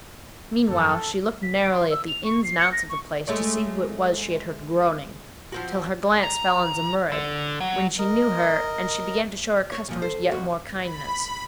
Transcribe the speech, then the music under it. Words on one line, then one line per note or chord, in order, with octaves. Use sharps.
Meanwhile, she looked narrowly at the ins and outs of the place to see who it was she had heard groaning, till her glance fell on Zumurrud, when she knew her and she began to show her customers yet more kindness.
G#1 F#2 F3 A4
B6
D7
C6
E6
F7
C#6
C7
C#7
A#6
C#6
G#3 A3 C#5
F3 C4 F#4
A#5
D3
F#3
A#4 D#5
C#5
A#2 F3
C2 A4 C5
F2 F#4
B5